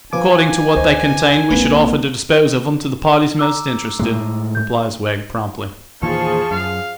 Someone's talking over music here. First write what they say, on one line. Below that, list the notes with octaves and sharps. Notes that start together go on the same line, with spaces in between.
'According to what they contained we should offer to dispose of 'em to the parties most interested,' replies Wegg, promptly.
F3 B4 G#5 D6
D2 C5 D#5
A#1 G#3 A#3 C4 B4
A#5 D6 E6
A2 G#3
G6
E2 A#2 D#3 F3 G#4 A5 C#6
F#2 F5